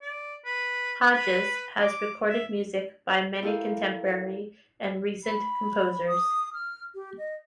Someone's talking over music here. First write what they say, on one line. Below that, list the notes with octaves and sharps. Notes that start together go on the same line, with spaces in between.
Hodges has recorded music by many contemporary and recent composers.
D5
B4
B4
D6
E5
E4 F4 G4 A4 A#4 F5
B5
D#6
F6
G4
D#5